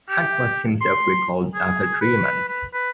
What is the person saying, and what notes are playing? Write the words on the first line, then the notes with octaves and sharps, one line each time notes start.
Hunt was himself recalled after three months.
G4
C6
G#4
B4
B4
B4